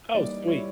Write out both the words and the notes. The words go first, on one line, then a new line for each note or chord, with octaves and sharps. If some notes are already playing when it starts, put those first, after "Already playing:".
Oh, sweet.
E3 G3 A#3 D#4 D5
G3 B3 E4 C#5